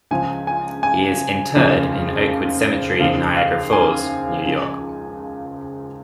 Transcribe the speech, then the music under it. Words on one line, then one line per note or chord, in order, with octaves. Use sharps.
He is interred in Oakwood Cemetery in Niagara Falls, New York.
C#2 C#3 F3 G#5
G#5
G#5
F1 D#2 C#3 F3
D#2 C#3 F3 F5
F5
G#5
C#2 C#3 F3